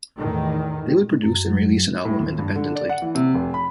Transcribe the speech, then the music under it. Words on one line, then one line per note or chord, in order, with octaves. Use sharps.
They would produce and release an album independently.
E2 A2 D#3
F#2
F#3
A2
D#2
G2
D3
D5
F#5
E3
C3
F1
B5